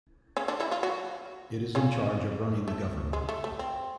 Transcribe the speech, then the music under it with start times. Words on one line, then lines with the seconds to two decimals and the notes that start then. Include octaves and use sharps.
It is in charge of running the government.
0.37 C#3 C#4
0.48 D3 D4
0.60 E3 E4
0.71 F3 F4
0.83 F#3 F#4
1.75 C#3 C#4
2.68 A3
3.13 G#3
3.29 A3
3.44 A3
3.59 C4